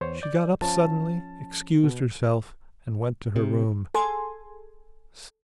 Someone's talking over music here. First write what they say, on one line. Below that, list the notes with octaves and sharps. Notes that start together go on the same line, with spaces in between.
She got up suddenly, excused herself, and went to her room.
E2 C5 C#5
D5 G6
F3 C#4 A5
B2
C3
G#4 A4 G#5 C6